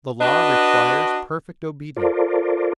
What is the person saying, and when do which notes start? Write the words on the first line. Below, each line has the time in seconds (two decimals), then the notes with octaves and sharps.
The Law requires perfect obedience.
0.21 D4 F#4 B4 D#5
1.96 F4 A4 A#4 C5 D5